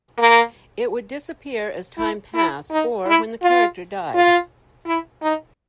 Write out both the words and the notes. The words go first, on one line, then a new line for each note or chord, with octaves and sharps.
It would disappear as time passed or when the character died.
A#3
E4
E4
D#4
E4
F4
F4
E4
D#4